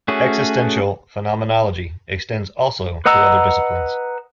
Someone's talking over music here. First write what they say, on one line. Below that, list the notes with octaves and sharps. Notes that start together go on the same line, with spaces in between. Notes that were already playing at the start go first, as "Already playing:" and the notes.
Existential phenomenology extends also to other disciplines.
A3 C#4 F#4 G#4
B4 D#5 F#5 A#5 E6